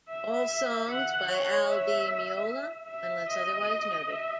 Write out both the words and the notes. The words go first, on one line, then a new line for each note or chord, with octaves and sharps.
All songs by Al Di Meola unless otherwise noted.
E5
F#5
C#5
E5
E5
D#5
E5